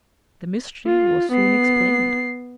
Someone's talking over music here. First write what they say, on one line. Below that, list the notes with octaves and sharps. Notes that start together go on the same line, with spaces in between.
The mystery was soon explained.
F4
B3 C7